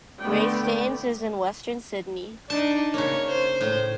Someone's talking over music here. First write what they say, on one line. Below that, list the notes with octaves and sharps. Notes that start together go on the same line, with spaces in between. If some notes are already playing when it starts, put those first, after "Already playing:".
Greystanes is in Western Sydney.
D3 A3 B3 D5 G5
D4 D#4 A5
C#3 A#3 C#5
C5
A2